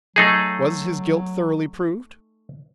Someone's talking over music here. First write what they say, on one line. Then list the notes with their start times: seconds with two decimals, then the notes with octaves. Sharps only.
Was his guilt thoroughly proved?
0.16 F#3 A3 D#4 G#4